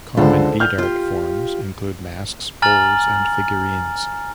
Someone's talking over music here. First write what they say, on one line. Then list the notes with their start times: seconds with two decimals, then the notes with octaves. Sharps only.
Common bead art forms include masks, bowls and figurines.
0.17 C#2 D3 A4 C5
0.60 F6 G6
0.78 F4 G4
2.62 G#5 A#5 F6 A6 F#7